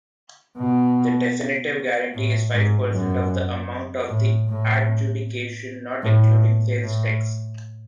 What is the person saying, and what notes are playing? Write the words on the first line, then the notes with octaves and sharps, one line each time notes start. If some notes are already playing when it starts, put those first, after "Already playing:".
The definitive guarantee is five percent of the amount of the adjudication, not including sales tax.
B2
A2
G#2
F#2
A2
A2
A2
A2